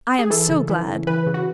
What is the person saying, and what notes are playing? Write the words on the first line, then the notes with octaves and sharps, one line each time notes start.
I am so glad.
G#4
E3 A4
C#3
E3
C#3
E3 B4
C#3
F#4